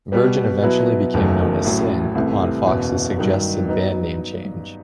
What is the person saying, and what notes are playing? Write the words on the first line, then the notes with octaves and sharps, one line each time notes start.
Virgin eventually became known as Sin upon Fox's suggested band name change.
B2 G3 B3
B2 F#3 B3 E4 B4
F#1 E2 D#3 F#3 A3
A1 A2 F#3 A3
C2 C3 E3 A3
F#1 E2 B2
G2 D#3 F#3
F#3 B3 D#4